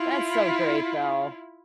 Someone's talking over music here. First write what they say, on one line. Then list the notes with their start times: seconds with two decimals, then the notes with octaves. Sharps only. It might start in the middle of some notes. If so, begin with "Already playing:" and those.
that's so great, though.
Already playing: E4 F4